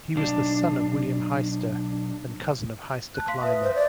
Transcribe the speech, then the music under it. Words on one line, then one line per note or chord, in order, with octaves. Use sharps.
He was the son of William Hiester and cousin of Hiester Clymer.
B1 D4
A5 F#6
F5 C6 B6
B4 E5 D#6
C5
D5